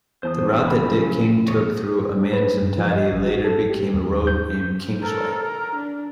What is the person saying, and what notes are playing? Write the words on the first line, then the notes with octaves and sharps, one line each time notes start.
The route that Dick King took through Amanzimtoti later became a road named Kingsway.
E2 C5 A5 D#6
E1
C#3 F#3 B5
F3
E2 C#5 D#5
D4
B4
G2
F3
D#5
G#1
F#4
A4
G4
D#2
G6
A4 A#4
A#4
D4